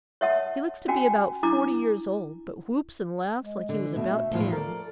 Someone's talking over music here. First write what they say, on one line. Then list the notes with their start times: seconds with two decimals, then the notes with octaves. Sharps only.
He looks to be about forty years old, but whoops and laughs like he was about ten.
0.21 C#5 E5 F#5 A5
0.88 C#4 F#4 G5 G#5
1.43 D4 E4 A#5 D6
3.39 G#3
3.69 D3
3.96 B2 A3
4.33 D#2 A2 F3 F4
4.52 A4 A#4 D5